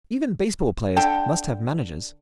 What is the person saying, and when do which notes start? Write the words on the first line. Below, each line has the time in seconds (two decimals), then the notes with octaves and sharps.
Even baseball players must have managers.
0.96 D3 A4 G5